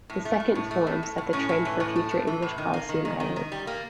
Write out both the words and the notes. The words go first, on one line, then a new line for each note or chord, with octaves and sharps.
The second form set the trend for future English policy in Ireland.
A2
A3
A2
A2
A3
A2
A2
A2
A2 C#4
A2
E3
A2
A3
A2
E3
A2
D#3
A#3
D#3
D#3
D#3
D#3
G3
A#3